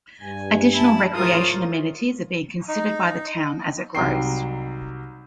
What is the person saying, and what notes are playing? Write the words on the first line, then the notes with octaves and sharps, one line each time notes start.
Additional recreation amenities are being considered by the town as it grows.
G2 G#5
E4 A5
A2 C#3 E3 F4 A#4 C5 C#5 D#6
D#4
C2 F#3 D#4 G5 C7